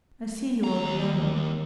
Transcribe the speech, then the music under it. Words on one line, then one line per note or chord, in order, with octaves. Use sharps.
I see you are alone.
D#2 A#5